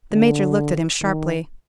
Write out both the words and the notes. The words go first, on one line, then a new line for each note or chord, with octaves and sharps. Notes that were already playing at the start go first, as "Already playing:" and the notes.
The Major looked at him sharply.
D3
D#3